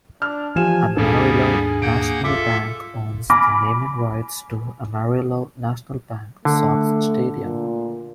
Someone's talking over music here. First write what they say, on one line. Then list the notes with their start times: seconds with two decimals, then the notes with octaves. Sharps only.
Amarillo National Bank owns the naming rights to Amarillo National Bank Sox Stadium.
0.22 D4 F6
0.56 E3 F3 G4 G#5 E7
0.97 D#2 G#2 G3 A#3 B3 D4 G#4 A4
1.82 A#3 F#5 G6 D7
2.24 F4 A4 E5 D6
3.30 G#5 B5 D6 F6 A#6
6.45 D3 A3
7.44 A#2